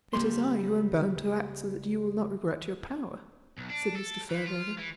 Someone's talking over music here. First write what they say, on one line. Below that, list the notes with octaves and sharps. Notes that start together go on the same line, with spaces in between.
"It is I who am bound to act so that you will not regret your power," said Mr. Farebrother.
C#2 G3 A#3 C6
B1
D4
A4
E3
F4
E3